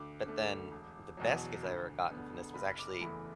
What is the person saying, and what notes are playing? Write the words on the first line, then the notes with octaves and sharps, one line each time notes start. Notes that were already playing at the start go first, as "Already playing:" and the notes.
but then the best gift I've ever gotten from this was actually
Already playing: D2 D6
D3 A3
E1
E2 B2 F#3
D2
D3 B3
F#1 B5
D6
E2 E3 A3 B5